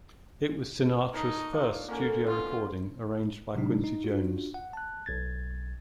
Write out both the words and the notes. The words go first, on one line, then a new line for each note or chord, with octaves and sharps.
It was Sinatra's first studio recording arranged by Quincy Jones.
D#4 A#4 C#5 A5
D4 F4 C#5
D3 A#3 C#4
B2 F4
A2 C3 F#3 G#3 D4 D#4
D#4
D4 F4 F#4
F#5
A5 F#6
B1 G#6 A6